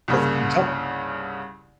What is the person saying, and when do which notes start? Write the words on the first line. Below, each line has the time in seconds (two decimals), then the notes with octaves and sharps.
That's Jo
0.08 C2 G2 C#3 A#3